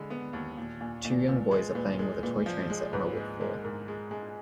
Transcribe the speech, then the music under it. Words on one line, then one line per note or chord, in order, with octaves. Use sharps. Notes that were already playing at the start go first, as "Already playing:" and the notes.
Two young boys are playing with a toy train set on a wood floor.
Already playing: D3 G#3 B5
B3
D#2
A#2
A#2 G#5
A#2 D5
A#2 B4
G#3 B4
A#2 B4
G#3 A#4
A#2 B4
F3 D5
G#3
G#2 B4
G#3
G#3 A#4
G#2 A#4
G#3
G#3 G#5